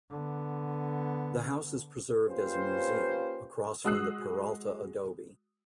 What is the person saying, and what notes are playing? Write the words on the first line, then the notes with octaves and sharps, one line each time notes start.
The house is preserved as a museum, across from the Peralta Adobe.
D3 B3
A#3 C#4 F4 G4 B4 C5
G#3 F#4 D#6 E6 F#6 C7